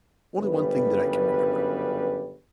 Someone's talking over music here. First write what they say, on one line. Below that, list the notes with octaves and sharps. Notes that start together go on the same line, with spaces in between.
Only one thing that I can remember.
G1 F#2 C#3 G3 B4